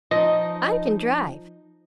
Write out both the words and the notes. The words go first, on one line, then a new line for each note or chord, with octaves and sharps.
I can drive.
F3 D#4 D#5